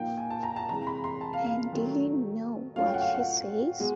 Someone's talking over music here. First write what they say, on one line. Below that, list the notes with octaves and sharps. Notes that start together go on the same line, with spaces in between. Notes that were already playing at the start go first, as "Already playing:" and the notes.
And do you know what she says?
Already playing: A#2 F3 A#3 D#4 G5
G#5
A5
A#5
A5
C3 E3 G#3 A#5
B5
C6
A5
F5
F5
D#3 F#3 A3
F#3 A3 C#4 F4 F5
G5
F#5
F5
F#5
B2 G#3